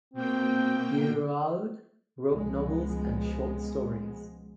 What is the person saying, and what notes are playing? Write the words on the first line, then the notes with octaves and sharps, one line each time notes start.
Girouard wrote novels and short stories.
B2 A#3 C4 G5
C#2 B2 F3 G#3 B3